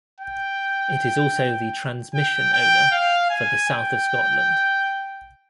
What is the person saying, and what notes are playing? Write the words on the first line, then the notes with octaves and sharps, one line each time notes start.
It is also the Transmission Owner for the south of Scotland.
G5
G5
G5
F5
G#5
G5